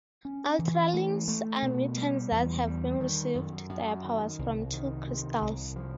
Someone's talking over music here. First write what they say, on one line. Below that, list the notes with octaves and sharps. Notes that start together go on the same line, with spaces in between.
Ultralings are mutants that have been received their powers from two Crystals.
C#4
E3
A3
A3
B2
G3
E2
G3
D#3
F#2
F#2
D#3
C2
D#3
C3
C2
F3